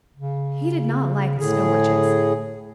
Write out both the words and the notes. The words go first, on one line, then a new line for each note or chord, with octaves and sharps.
He did not like the Snow Witches.
C#3
A2 D3 G#4